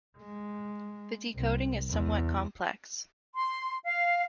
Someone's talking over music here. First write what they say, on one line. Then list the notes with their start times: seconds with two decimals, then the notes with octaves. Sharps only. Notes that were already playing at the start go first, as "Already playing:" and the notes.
The decoding is somewhat complex.
0.18 G#3
1.35 C2
1.90 E2
3.34 C6
3.83 F5